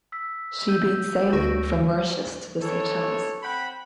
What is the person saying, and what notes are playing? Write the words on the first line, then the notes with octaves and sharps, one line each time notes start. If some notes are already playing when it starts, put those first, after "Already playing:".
She been sailing from Mauritius to the Seychelles.
E6 B6
E6 G6 D#7
D2 F#4 A#6 D7
E3 D#4 A4 C#5
C4 F#5 G5 B5